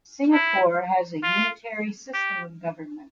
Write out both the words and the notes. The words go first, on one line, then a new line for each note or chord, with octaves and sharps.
Singapore has a unitary system of government.
E4
F4
G4